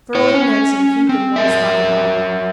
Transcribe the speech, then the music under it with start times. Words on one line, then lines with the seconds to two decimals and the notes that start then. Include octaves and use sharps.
Thoroughly mix and keep in well stoppered bottle.
0.15 E4 C#5
0.34 C#4
1.09 C4
1.36 F#3 A#4 E5